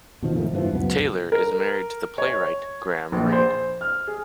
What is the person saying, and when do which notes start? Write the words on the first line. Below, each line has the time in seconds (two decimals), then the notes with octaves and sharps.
Taylor is married to the playwright Graham Reid.
0.23 B2 D#3 F3
0.35 G#2 D#3 F3 A3
0.52 E2 G2 E3 F3
0.72 C#2 F#2 B2 B3
1.32 A#4
2.18 C#5
3.12 A#1
3.32 C5
3.81 F6
4.07 G#4